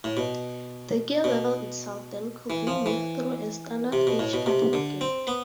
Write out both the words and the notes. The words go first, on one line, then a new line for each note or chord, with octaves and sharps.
The gear lever itself then could be moved through a standard 'H pattern' gate.
A2
B2
B2
E3
F3
E3
C3
B2
A2
B2
C3
D3
C4
B3